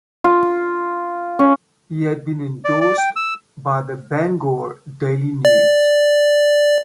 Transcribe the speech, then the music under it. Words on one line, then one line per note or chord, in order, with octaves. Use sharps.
He had been endorsed by the "Bangor Daily News".
F4
C#4
D5
D5
G5
E6
D5